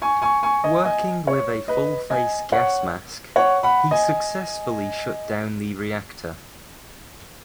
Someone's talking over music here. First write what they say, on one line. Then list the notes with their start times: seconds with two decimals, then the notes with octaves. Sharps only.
Working with a full-face gas mask, he successfully shut down the reactor.
0.02 G#5 C#6
0.22 G#5 C#6
0.43 G#5 C#6
0.64 D#5 G#5
0.85 D#5 G#5
1.27 C#5
1.68 B4 D#5
2.10 D#5 G#5
2.52 C#5 F#5
3.36 C#5 F#5
3.63 F#5 B5
3.91 D#5 G#5